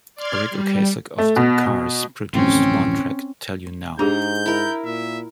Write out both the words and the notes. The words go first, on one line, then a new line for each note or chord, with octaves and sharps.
Ric Ocasek of the Cars produced one track, Tell You Now.
D5 C6 F6 G#6
G3
A3
B2
B2
D1 A1 F2 C4 C#4
G#2 D4 G4 G#4 A#5 G6
E4 A#4
A#2 E5